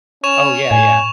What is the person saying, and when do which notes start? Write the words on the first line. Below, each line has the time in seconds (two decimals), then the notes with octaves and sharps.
Oh, yeah, yeah.
0.24 C#4 C#5 C#6 E7 F7
0.71 A2 G#5